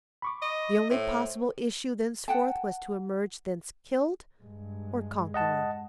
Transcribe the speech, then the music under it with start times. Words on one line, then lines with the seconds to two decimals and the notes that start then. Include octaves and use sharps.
The only possible issue thenceforth was to emerge thence killed or conquerors.
0.22 B5 C#6 D6
0.42 D#5
0.90 A2 C5
2.28 F#5 G5 A5
4.45 G2 G#3
5.34 D#5 F#5 A5